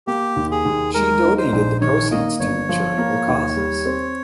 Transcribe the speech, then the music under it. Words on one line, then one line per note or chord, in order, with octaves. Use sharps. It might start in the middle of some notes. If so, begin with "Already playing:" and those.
She donated the proceeds to charitable causes.
A#3 G4
D#2
G#4
D#2
G#3 A#4
D#4
C5
A#1
D#3 C#5
A#3 D#5
G1 C#5
F3
A#3
D#2
G3
C4